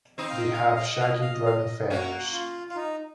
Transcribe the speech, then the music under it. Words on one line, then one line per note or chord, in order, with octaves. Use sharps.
They have shaggy brown feathers.
C4 D#4 D#5
F5
D#5
F5
D#5
F5
D#5
F5
D#5
F5
D#5
F5
D#5
A#3 C#4 F#4
F4
F4
D#4